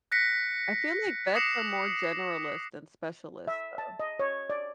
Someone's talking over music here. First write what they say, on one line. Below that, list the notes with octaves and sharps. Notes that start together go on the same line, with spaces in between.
I feel like vets are more generalist than specialist though.
F#6 A#6 B6 C#7
B6
D6 D#6 A#6 C7 C#7 E7
E5
A5
D#5
C#5
D5